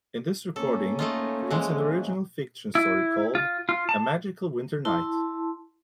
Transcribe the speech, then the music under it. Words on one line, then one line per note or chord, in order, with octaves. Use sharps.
In this recording, he reads an original fiction story called "A Magical Winter Night".
A#3 C#4 A4
A3 D#4 F4
E3 F3 G#3
E4
F4
F4
A5
E4 A5 C6